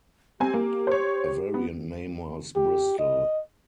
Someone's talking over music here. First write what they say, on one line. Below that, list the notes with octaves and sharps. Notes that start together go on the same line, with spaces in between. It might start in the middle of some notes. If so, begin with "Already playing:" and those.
A variant name was "Bristol".
C4 G4 G#5
A#3
C5 C#5
B3
G4
D#5